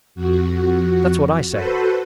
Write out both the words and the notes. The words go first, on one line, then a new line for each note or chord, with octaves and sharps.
'That's what I say.
F2 F#4
F#4 A4 B4 C5